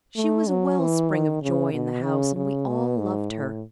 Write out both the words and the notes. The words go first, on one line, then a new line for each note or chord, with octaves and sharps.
She was a well-spring of joy in the house, and we all loved her.
A3
F#3
E3
D#3
C#3
B2
C#3
C#3
B2
G#2
A2